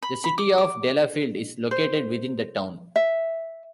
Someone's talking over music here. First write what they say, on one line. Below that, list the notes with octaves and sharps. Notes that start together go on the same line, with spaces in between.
The City of Delafield is located within the town.
B5
B5
D6
D6
C5
E5